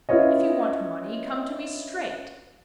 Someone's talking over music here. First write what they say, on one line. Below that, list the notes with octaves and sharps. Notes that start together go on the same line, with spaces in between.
If you want money come to me straight.
C#4 E4 F4 B4 C#5 D#5